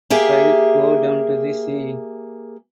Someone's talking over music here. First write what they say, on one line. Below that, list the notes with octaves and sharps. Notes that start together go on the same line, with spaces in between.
Five Go Down to the Sea?
A#3 G4 G#4 E5